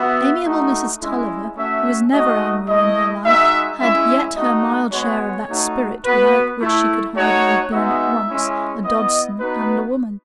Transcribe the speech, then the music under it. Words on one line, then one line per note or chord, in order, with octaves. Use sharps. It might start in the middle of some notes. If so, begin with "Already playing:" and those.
Amiable Mrs. Tulliver, who was never angry in her life, had yet her mild share of that spirit without which she could hardly have been at once a Dodson and a woman.
Already playing: B3 F#4 E5
A3 D#4 F#4
G#3 C#4 E4
A3 C#4 F#4 E5
A3 D#4 F#4 D#5
A3 E4 D#5
G#3 D#4 F#4 E5
G#3 C#4 E4 E5
A3 D#4 F#4 D#5
G#3 B3 F#4 C#5
A3 D#4 F#4
B3 F#4 B4
A3 E4
A3 D#4 F#4 C#5
G#3 B3 D#4 F#4 E5
G#3 C#4 E4
B3 E4 D#5
B3 D#4 F#4 B4